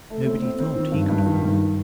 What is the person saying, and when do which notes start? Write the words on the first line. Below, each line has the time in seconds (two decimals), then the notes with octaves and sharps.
Nobody thought he could fall.
0.10 A3
0.27 C4
0.43 C4
0.60 C4
0.76 D#3
0.92 G2
1.09 G2
1.26 D#3
1.43 G2